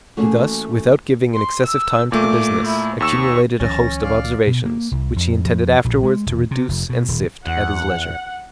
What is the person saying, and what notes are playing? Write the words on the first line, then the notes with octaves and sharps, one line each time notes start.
He thus, without giving an excessive time to the business, accumulated a host of observations, which he intended afterwards to reduce and sift at his leisure.
E3 A3 A#3 C#4 F#4 G#4
C6
E6
A#2 A3 D6
E4
D#2 C#6 E6 E7
C#2 D#3 F3 C#4 A6 A#6
D5 F5
B2
A#3
C2
F2
F2
A#1
G#3
E1
C3
F1
B2
D#1
E2 F#5